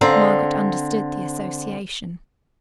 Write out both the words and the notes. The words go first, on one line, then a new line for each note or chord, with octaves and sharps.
Margaret understood the association.
D3 C4 F5 A#5